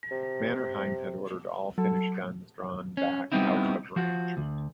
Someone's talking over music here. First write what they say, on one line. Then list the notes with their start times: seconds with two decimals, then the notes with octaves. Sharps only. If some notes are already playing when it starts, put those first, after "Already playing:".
Mannerheim had ordered all Finnish guns drawn back out of range.
0.11 C3
1.78 F#3 A4
2.97 C#4
3.32 G3 B3 C4 D#4 E4
3.96 F3 F#4
4.37 D2